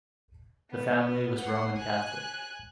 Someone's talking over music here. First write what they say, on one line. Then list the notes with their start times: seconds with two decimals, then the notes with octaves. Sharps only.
The family was Roman Catholic.
0.71 B3
1.41 F#5 C7
1.77 G#5 F#6